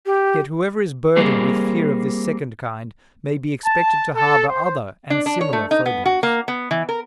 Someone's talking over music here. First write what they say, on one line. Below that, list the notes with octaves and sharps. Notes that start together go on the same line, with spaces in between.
Yet whoever is burdened with fear of this second kind may be expected to harbor other and similar phobias.
G4
G3 A#3 C4 G#4
A5
A4
C5
D4
D4
C#5
A3
D#4
B3
F#4
A#3
B3
E3
A#4